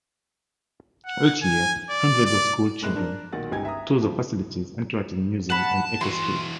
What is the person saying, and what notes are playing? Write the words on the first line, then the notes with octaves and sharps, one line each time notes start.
Each year, hundreds of school children tour the facility's Interactive Museum and EcoScape.
F#5
G#5
D5
D5
G#1 A2 C3 G#3 F#6 E7
D4 A#4 A#5
B1 A#2 D#3 F#4 F#5 A6
G1 C#2 D#4 G4 G#5 G#6
E5 A#5 D#6
F3 G3
F#5 A5 B5
E3 F#4 C6